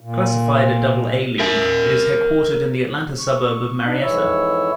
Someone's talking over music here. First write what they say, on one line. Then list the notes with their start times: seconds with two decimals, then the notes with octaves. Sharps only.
Classified a Double-A league, it is headquartered in the Atlanta suburb of Marietta.
0.01 A#2
1.39 A#4 E5
3.19 C#6
3.85 D4 D#4
4.02 F2 G#2 E3 E4 C#5 E6